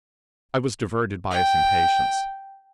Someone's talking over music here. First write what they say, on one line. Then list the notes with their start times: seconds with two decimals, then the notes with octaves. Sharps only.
I was diverted by his impatience.
1.31 G5